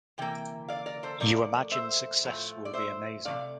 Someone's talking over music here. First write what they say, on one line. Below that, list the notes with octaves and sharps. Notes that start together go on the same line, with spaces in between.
You imagine success will be amazing.
C3 E3 A#3 G5
D5 F5
A#4 D5
A4 C5
A#2 F3 A3 A#4 D5
C5 E5
A2 F3 A3
D5
C5 E5
C3 F3 A3 D5 F5